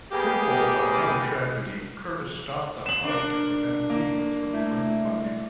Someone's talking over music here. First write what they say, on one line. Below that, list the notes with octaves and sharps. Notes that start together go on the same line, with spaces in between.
Fearful of another tragedy, Curtis stopped the fight to prevent Weaver from further punishment.
G3 A#3 B3 G4 G#4
E7 F#7
D4 A#4
A#3
A3 E4